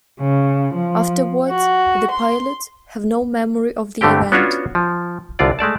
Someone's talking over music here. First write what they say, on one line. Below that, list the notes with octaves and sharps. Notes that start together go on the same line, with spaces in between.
Afterwards, the pilots have no memory of the event.
C#3
F3
F#4
C6
G2 D3 A3 C4 G4 G5
B3 C#4 D4 F4 F#4 C#5
F3
C2 D3 F4 D5
G#3 A3 D5 A5